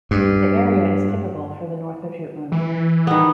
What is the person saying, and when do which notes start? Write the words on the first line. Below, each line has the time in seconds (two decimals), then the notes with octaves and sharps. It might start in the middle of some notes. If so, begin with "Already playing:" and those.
The area is typical for the north of Jutland.
0.11 G2
2.52 E3
3.07 D#3 B3